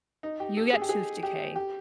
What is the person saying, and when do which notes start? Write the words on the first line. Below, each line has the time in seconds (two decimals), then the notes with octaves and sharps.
you get tooth decay
0.23 D#4
0.40 G4
0.57 A4
0.73 G#4
0.82 G4
0.89 G#4
1.23 G4
1.56 G4